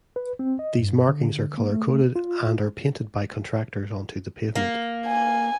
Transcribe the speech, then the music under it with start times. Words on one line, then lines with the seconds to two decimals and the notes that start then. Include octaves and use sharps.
These markings are color-coded, and are painted by contractors onto the pavement.
0.16 B4
0.39 C4
0.59 D#5
0.79 G2
1.09 D3
1.58 A#3
1.70 A3
2.16 F4
4.56 A#3
5.08 G#5